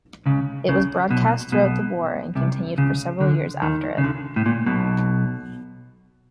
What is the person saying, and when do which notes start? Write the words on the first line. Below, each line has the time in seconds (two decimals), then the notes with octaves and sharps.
It was broadcast throughout the war and continued for several years after it.
0.26 C#2 C#3
0.68 C#2 C#3
1.10 B1 B2
1.52 B1 B2
2.35 C2 C3
2.78 C#2 C#3
3.20 D2 D3
3.62 D#2 D#3
3.98 C#3
4.04 D2 D3
4.36 A2
4.46 A#2
4.66 B1 B2